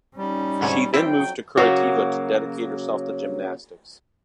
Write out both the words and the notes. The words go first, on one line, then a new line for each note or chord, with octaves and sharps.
She then moved to Curitiba to dedicate herself to gymnastics.
G3 C#4 D#4
D2 G#2 C3 C#5
F2 F#3 G3 C4 E4 G5
C#3 F#3 A#3 F#4